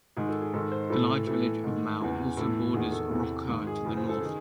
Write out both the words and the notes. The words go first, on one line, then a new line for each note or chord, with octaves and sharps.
The large village of Mau also borders Rokha to the north.
G#2 D#3 G#4
A4
G#4
G#2 D#3 A4
C5
A2 E3 A4
A2 E3 A4
G#2 D#3
E2 C#3 E3
A2 E3 A4
E2 D#3 G#4
A4
E2 C3 E3 A4
G#2 D#3
G#4
F#2 C#3 E3 G#4
C5
A4
D#3 G#4